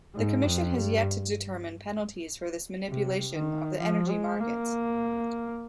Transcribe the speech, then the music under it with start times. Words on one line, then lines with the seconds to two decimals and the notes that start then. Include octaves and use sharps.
The commission has yet to determine penalties for this manipulation of the energy markets.
0.15 G#2
0.46 F2
0.76 G2
2.88 C3
3.34 D#3
3.79 F3
4.10 G#3
4.40 A#3